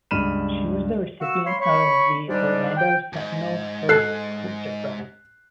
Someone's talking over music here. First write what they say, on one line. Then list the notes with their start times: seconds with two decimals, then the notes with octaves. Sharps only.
She was the recipient of the "Orlando Sentinel" first Pulitzer Prize.
0.11 C#2 G2 B5 F6 D#7 E7
1.21 F#4 F5 C#6 E6
1.46 C#5 F5 B5 C6
1.60 C#5 B5 C#6
2.29 G#2 G3 D4
2.76 G5
3.13 D2 G#2
3.89 A4 F#6 C7